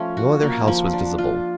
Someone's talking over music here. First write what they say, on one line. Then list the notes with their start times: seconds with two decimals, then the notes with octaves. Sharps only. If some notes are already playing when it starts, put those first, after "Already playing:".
No other house was visible.
Already playing: F3 A3 C#4
0.17 F#4
0.42 A#3
0.68 F3
0.93 D4
1.18 F4